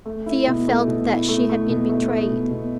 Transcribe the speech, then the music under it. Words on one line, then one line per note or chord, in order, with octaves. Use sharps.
Thea felt that she had been betrayed.
A3
E4
B2
A3
B2
E4
A3
A3
B2
A3
A3
B2
B2